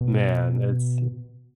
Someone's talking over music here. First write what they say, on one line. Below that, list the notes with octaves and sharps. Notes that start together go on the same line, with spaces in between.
man, it's
B2